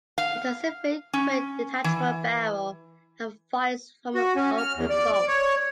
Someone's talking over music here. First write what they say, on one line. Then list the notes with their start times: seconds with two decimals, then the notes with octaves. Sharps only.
It has a finned, quick-detachable barrel and fires from an open bolt.
0.18 F5
1.13 C#4
1.84 E3
4.15 F#4
4.36 C#4
4.58 F6
4.76 E2
4.90 D5
5.12 D5
5.28 C#5